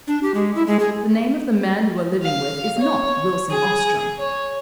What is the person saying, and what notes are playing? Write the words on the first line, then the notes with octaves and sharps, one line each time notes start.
The name of the man you are living with is not Wilson Ostrom.
D4
G4
G#3
E4
G#3
G#4
F5
C#5
G#4
C#5